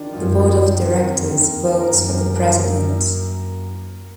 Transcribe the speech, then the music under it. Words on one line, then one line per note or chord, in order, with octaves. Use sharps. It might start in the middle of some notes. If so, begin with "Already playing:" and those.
The board of directors votes for the president.
Already playing: D#3 D4 F4
F#2 F4
F4
D#3
F2 A#4
D#3
A#3
F#2 A#4
A#4
A#4
A#3